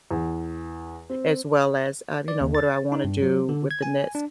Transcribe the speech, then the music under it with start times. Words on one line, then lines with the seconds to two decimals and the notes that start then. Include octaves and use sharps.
as well as, uh, you know, what do I wanna do with the next,
0.11 E2
1.10 C4
2.28 D5
2.41 D#2
2.55 A6
2.92 D#4
3.04 G2
3.22 F#3
3.49 D3
3.71 G#6
3.82 G#5
4.15 D4